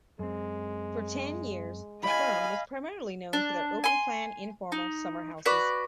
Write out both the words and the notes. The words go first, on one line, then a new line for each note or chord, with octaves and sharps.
For ten years, the firm was primarily known for their open-plan informal summer houses.
F#2 G#3 C4
E4 G4 C#5 D#5 F5 G#5 B5
D4
G#5 C6
D#4
F#4 B4 D5